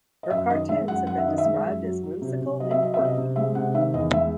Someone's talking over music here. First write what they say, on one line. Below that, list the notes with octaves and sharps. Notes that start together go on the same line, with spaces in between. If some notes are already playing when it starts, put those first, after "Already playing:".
Her cartoons have been described as whimsical and quirky.
D#5
F#2 E5
D#3 D#5
G#3 E5
F#2 F#5
F#2 F#5
E5
D#3 D#5
E5
G#3
F#2
F#3
F#3
C3
C3
F#3 D#5
E5
F#3 D#5
C3 E5
D#5
C3
G#3 E5
C3 F#5
D#3 E5
E2 D#5
G#3 E5